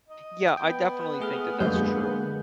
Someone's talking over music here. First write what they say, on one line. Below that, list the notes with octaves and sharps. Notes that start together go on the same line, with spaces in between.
Yeah, I definitely think that that's true.
D#5
B3 G5
A3 G#4 F6
D3 G#3 A#3 G6